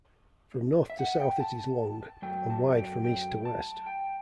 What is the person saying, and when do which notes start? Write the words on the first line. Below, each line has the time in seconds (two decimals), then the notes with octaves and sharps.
From north to south it is long, and wide from east to west.
0.90 E5
0.99 F#5
1.20 G5
1.40 A5
2.22 F#2 F#3 A3 G5
2.50 A5
2.72 F#5
2.77 G5
3.05 G5
3.45 A5
3.86 G5